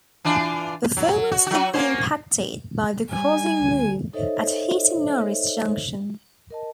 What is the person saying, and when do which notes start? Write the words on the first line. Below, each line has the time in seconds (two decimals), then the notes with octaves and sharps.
Performance could be impacted by the crossing move at Heaton Norris Junction.
0.25 E3 D4 F4
0.97 F#3
1.32 F#4
1.47 F#3 F#4
1.74 A#3 C#4 C5
3.11 G3 G#5
3.60 D2
4.13 D#4 A4 C5 C#5 D#5 E5
6.50 A#4 D#5 A5